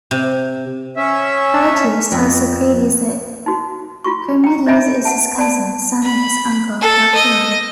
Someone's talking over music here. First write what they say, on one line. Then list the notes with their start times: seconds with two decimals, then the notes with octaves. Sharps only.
Critias tells Socrates that Charmides is his cousin, son of his uncle Glaucon.
0.11 C3
0.97 C#4 E5
2.12 F2
3.46 D#4 F#4
4.04 F4 F#4 C#6
4.44 G5 A#5
4.66 C#5 D#5 E5 G#5 A#5 B5
5.05 F#5 G#5 A5
5.38 D5 A5
6.03 B5
6.81 A4
7.15 D#5